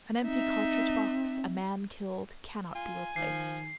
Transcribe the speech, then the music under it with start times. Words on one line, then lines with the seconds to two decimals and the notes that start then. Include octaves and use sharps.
An empty cartridge-box, a man killed, cannot be replaced.
0.24 C4 D#4 E5
2.75 F4 G#5
3.16 D#3 F3 C7